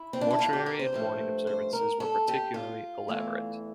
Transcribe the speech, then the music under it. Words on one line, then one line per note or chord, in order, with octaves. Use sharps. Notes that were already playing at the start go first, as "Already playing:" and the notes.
Mortuary and mourning observances were particularly elaborate.
Already playing: E4
C4
D4
E4
F4
G4
A#4
C5
G2 F3 A3
C5
A#4
A4
G4
F4
E2 E3 A3